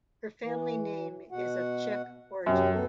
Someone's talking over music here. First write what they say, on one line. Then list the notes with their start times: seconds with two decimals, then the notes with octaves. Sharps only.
Her family name is of Czech origin.
0.42 E3
1.32 B2 F#4 F#5
2.46 F#2 C3 F#3 C4
2.74 D2 B3 A4